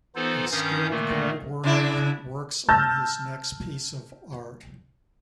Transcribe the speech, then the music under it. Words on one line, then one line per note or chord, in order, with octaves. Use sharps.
A skilled gold worker works on his next piece of art.
E3 B3 D#4 F4 A4 C5
G2 D#3 C#4 F5 D#6 G6
A#2 D#3 A3 A#3
C#3 D4 E4
A5 E6 F6 G6 A6 A#6